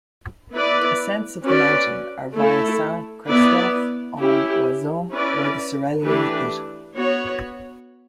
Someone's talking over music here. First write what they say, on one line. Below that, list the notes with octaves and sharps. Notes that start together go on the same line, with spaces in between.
Ascents of the mountain are via Saint-Christophe-en-Oisans or the Soreiller hut.
B3 E4 B4 D5
C#4 F#4 B4 D5
A3 E4 A4
B3 E4 B4 D5
C#4 E4 G4
C#4 E4 B4 D5
E3 A3 D4 G4 B4
B3 F#4 C#5